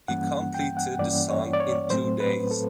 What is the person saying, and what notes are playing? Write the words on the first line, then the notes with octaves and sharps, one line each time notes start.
He completed the song in two days.
G2 E3 G3 A#3 C#4 F#5
G5
F#5
G2 E3 G3 A#3 C#4 D5
C#5
D5
C#5
A2 F#3 A3 C4 C5
B4
A4